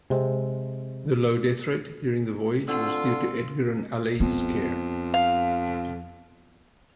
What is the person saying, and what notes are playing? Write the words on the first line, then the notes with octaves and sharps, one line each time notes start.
The low death rate during the voyage was due to Edgar and Alley's care.
C3 G#3 C4
D3 C4 D4 F4 E6
F2 B3
F5